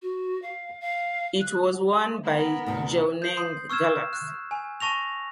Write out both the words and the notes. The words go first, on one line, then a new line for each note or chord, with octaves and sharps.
It was won by Jwaneng Galaxy.
F#4
F5
F5
F#6
B3 A#4
D2 C3
G6 C7
C6 D#6
C#6 E6 F6 G#6 E7
F#6
G#5
A5 C#6 A#6 F7